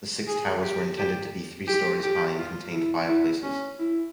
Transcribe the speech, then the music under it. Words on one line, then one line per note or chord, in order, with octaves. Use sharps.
The six towers were intended to be three storeys high and contained fireplaces.
G#4
G4
G4
G4
G4
F4
E4
E4
C#4
E4